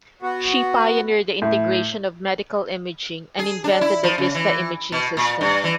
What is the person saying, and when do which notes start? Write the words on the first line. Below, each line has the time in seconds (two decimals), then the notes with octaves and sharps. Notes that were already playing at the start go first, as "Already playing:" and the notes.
She pioneered the integration of Medical Imaging and invented the Vista Imaging System.
0.22 B3 F#4
1.42 A2
3.39 G#4
3.64 D4
3.81 E4
4.03 F3
4.18 C#3
4.35 E3
4.92 B2
5.17 A#2
5.41 G2
5.64 E3